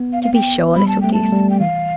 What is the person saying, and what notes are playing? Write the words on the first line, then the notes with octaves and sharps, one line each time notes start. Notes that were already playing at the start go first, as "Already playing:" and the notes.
'To be sure, little goose.
Already playing: B3
F5
F5
G5
G3 B5
A5
A3 G5
A5
G3
G5
E3 F5